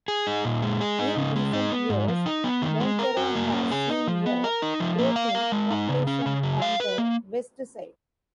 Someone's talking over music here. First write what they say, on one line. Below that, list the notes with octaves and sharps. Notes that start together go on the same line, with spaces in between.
In recent years, Monteria has seen a growth in population on the west side.
G#4
D#4
A#2
G#3
G#4
D#4
C#3
G#3
D#4
B3
G#2
F3
D#4
B3
D#3
G#3
A#4
F#4
A#3
C#4
G#4
D#4
F3
B3
A#4
D#4
F3
A#3
F5
A#4
G#3
D#4
C#3
C#4
C#3
F#3
F5
B4
A#3